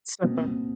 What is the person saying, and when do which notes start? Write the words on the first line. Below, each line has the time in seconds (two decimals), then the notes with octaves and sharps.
So far.
0.23 B2 A#3 C4
0.46 B2